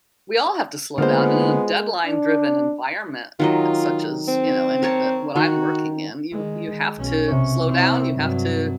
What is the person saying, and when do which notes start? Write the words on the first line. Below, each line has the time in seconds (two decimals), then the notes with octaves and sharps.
we all have to slow down and in a deadline-driven environment such as, you know, any n what I'm working in, you you have to slow down, you have to
0.98 D3 G#3 A#3 B3 F4 C5
2.06 D4
3.40 D#3 F#3 F4 D#5
4.28 C4
4.83 A#4 C#5 A5
5.36 D#3 F#4
6.32 D#3 G#3
6.98 B1 C#4
7.28 C3 C#5
7.69 C4 E4
8.15 G2 F#3